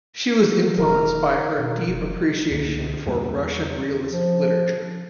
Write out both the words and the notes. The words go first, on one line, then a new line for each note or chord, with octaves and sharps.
She was influenced by her deep appreciation for Russian realist literature.
E1 D#3 A#4
B2
F1
C#2 D3 A#3
E2 G3 A#3 D4
F3